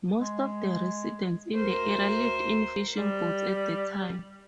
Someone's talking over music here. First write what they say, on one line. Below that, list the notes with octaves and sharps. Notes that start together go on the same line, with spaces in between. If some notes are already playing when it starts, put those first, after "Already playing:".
Most of the residents in the area lived in fishing boats at the time.
G#3
D2 A#4 C5
G3